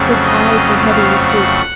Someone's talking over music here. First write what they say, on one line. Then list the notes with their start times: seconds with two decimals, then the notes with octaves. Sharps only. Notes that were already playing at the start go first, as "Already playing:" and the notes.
His eyes were heavy with sleep.
Already playing: F2 C#3 F#3 A3 C4
0.24 D#5
0.93 F5
1.27 F#5